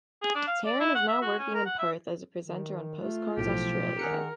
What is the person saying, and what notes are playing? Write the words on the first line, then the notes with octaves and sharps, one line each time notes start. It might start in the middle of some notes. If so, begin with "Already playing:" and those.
Taryn is now working in Perth as a presenter on Postcards Australia.
G#4
D4
F5
D5
E4
F#5
E5
F#4
C#4
A#4
F#5
E5
D#3
A3 F4
B1 A2 F3 G4
D#3 G#4 A#4 F#5 C#7